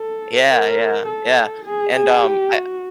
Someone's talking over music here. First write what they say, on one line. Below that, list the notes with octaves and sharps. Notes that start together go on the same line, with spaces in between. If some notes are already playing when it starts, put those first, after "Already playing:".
Yeah, yeah, yeah, and, um, I
Already playing: A4
A#4
A4
G#4
G#4
G4
F#4